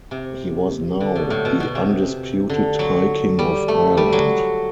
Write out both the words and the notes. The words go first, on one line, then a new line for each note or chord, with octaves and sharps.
He was now the undisputed High King of Ireland.
C3
D3
B2
A2
B2
B2
C3
D3
F#3
G3
A3
G3
F#3